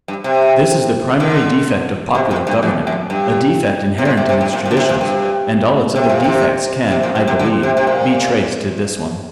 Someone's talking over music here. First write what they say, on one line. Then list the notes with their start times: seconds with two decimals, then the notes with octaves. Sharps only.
This is the primary defect of popular government, a defect inherent in its traditions, and all its other defects can, I believe, be traced to this one.
0.08 G2
0.24 C3
1.20 D3
2.15 C3
2.31 A#2
2.47 G2
2.63 F2
2.87 F2
3.10 G2
3.98 C3
4.05 A#2
4.17 C3
4.29 C3
4.41 G2
4.53 A#2
4.66 A#2
4.71 D3
4.77 C3
4.89 A#2
5.01 G2
5.96 C3
6.09 A#2
6.24 C3
6.91 C3
7.03 A#2
7.15 G2
7.27 C3
7.39 D3
7.63 C3
7.77 C3
7.87 A#2